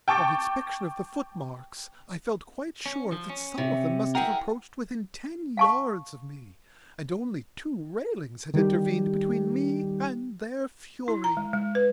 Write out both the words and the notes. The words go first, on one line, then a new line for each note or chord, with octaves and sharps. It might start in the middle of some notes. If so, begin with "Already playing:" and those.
On inspection of the footmarks, I felt quite sure that some of them must have approached within ten yards of me, and only two railings had intervened between me and their fury.
G5 A5 C#6 D6 A6
C#4
F3
C#4
C3
E4 G#4 A#4 F#5 G5
F5 A5 C#6
D#3 G3 G4
E4
A#5
G#3
G#3
B4